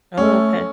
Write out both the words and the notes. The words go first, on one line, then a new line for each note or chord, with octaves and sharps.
Oh, okay.
A3 C#4